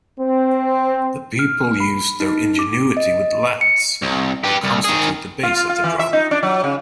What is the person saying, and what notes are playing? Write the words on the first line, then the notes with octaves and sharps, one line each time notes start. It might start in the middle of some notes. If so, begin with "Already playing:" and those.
The people used their ingenuity with laths, to constitute the base of the drum.
C4
F6
B5
D#4
D6
D#5
C#7
C2
G4 B4
C2
D#3 G#4
F4
F4
E3
E5
D#4
D4
F#3
C#3